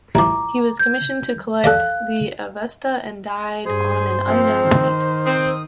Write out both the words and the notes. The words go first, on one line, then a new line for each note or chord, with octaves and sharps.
He was commissioned to collect the Avesta and died on an unknown date.
A1 F3 A#5 D6
G6
A4 D5 D#5 F5 F#6
G2 G#4 C5
F3 C4
D#3
C4 D#6